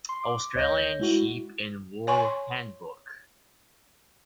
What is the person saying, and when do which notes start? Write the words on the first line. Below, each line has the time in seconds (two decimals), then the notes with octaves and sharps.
Australian Sheep and Wool Handbook.
0.09 C6
0.23 D6
0.55 D2 C#5 D#5 G6 A#6
0.99 G#3 E4 F#4
2.07 C#5 G#5 C6 C#6